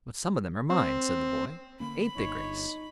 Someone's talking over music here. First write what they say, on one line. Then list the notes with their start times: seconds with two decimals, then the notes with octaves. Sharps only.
"But some of them are mine," said the boy; "ain't they, Grace?"
0.70 C4
1.80 D3 A#3 C#4 B5
2.17 G1 D#4 C#5